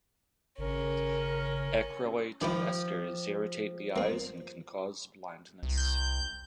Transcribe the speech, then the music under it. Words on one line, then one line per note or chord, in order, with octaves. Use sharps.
Acrylate esters irritate the eyes and can cause blindness.
G#1 C#3 C#4 A#4
D#3 F3 E4 F4 G4
A#3 C4
C2
G6